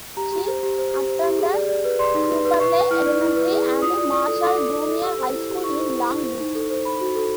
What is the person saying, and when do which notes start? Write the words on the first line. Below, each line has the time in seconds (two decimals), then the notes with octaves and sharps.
She attended Cubberley Elementary and Marshall Junior High School in Long Beach.
0.17 G4 A#5
0.32 G4
0.47 C5
0.63 G4
0.78 C5
0.93 G4
1.08 C5
1.23 G4
1.38 G#4
1.54 D5
1.69 D5
1.84 B4
1.99 D5 C6
2.14 D#4
2.30 B4
2.45 B4
2.60 B4 C#6
2.75 B4
2.91 E4 F6
3.06 D5
3.21 E4
3.36 B4
3.51 G#4
3.66 E4
3.82 F4 D#6
3.97 D5
4.12 D5 D#6
4.27 A4
4.42 A4 D6
4.57 D5
4.73 D5
4.88 A4
5.03 G4 E6
5.18 C5
5.33 E4
5.49 G4
5.64 E4 C#6
5.79 C5
5.94 E4
6.09 E4
6.25 C5
6.40 D#4
6.55 A4
6.70 C5
6.85 C5 B5
7.01 F#4
7.16 A4